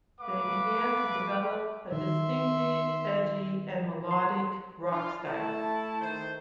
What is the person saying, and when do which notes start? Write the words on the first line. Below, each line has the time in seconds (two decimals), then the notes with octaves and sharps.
They began to develop a distinctive, edgy and melodic rock style.
0.20 A3 B4 F5 D6
1.92 D#3 E5 C6
4.11 C6
4.90 D4 F4
5.25 A3 E4 A5
6.00 D#3 C5